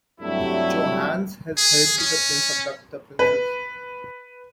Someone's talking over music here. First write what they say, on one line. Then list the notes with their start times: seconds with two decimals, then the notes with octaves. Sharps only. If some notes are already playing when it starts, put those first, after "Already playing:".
Johannes has helped the prince abduct the princess.
0.20 G2 C3 F#3 G3 A3 E4
1.57 G#4
1.98 C#4
3.19 B4